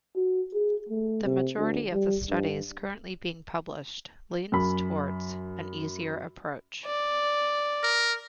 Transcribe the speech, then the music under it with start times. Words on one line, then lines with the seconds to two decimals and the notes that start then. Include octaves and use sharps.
The majority of the studies currently being published leans towards an easier approach.
0.16 F#4
0.54 G#4
0.89 A3
1.24 C3
1.57 D2
1.93 G3
2.30 G2
4.52 F#2 B5
6.85 D5
7.83 A#4